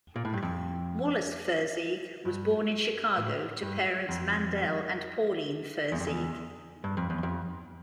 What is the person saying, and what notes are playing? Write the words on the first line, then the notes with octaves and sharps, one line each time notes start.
Wallace Feurzeig was born in Chicago to parents Mandel and Pauline Feurzeig.
A#2
A2
G2
F2
G2
A2
G2
F2
E2
F2
E2
G2
F2
E2
F2